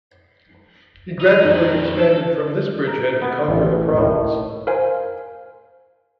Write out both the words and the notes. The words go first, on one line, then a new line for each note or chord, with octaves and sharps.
He gradually expanded from this bridgehead to conquer the province.
D#4
F2 D4 D#4
A4 A5
A#4
B3
A1
A2
A#4 C5 F5 G#5